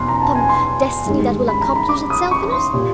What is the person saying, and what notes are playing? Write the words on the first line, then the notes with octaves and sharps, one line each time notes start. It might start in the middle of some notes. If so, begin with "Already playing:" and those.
Some Destiny that will accomplish itself in us.
Already playing: E2 B2 B5 C6
A#5
A5
G#5
C6
G2 D#3 G#3
B5
A#5
B5
D6
D#6
C#6
C#6
C6
A#2 G3